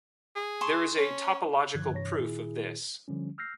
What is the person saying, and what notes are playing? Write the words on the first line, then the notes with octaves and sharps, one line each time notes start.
There is a topological proof of this.
G#4
A5 C6 C#6
C#4
G2 D3 D#3 F3 F#6 G#6
G2 C3 E3 C#5 A#6
A#2 D#3 E4 G#4
D3 F3 G3 C#4
E6 F6 G6 A#6 C7